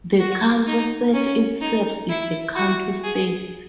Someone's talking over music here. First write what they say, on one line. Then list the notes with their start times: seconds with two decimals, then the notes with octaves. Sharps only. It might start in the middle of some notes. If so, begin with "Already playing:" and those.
The Cantor set itself is a Cantor space.
0.19 F#4
0.67 D#4
1.14 C#4
1.61 D#4
2.09 E4
2.56 F#4
3.04 G#4